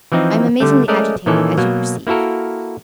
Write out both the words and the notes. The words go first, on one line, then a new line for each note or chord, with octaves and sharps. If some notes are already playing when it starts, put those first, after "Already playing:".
I am amazingly agitated, as you perceive.
E3 F3 C4 D#4
D3 G3 A3
G#3 A3 C#4 A#4 D5 D#5
A#2 D#3 E3 C#4 A4
B2 F#3 A#3
A#3 E4 F#4 A4 A#4